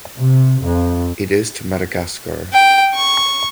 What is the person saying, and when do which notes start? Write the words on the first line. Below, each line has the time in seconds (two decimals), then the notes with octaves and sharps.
It is to Madagascar.
0.17 C3
0.65 F2
2.53 G5
2.95 C#6